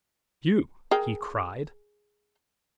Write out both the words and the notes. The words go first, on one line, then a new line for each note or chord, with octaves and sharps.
"You?" he cried.
G#4 A#4 G5